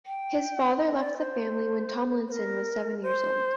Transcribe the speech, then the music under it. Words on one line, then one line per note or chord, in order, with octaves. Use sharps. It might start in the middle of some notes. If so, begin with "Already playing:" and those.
His father left the family when Tomlinson was seven years old.
G5
D#5
D5
C5
C5
A#4
C5